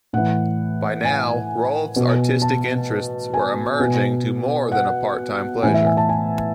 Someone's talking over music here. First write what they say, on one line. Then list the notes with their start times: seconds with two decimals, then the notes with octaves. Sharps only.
By now Rolf's artistic interests were emerging to more than a part-time pleasure.
0.13 A2 E3 F#5
1.05 G#5
1.96 B2
2.42 A5
3.34 G#5
3.80 B2
4.72 F#5
5.63 A2 E3 G#5
5.74 E5
5.86 G#5
5.97 A5
6.09 G#5